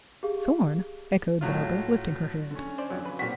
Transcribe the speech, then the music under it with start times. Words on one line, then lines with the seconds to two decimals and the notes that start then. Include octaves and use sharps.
"Thorn!" echoed Barbara, lifting her head.
0.23 G4 G#4 F5
1.41 A2 F#3 F4
2.51 D3 C#4
2.78 C5 D5
2.90 F2 F#3
3.05 B4
3.19 A#2 C4 F#4 B6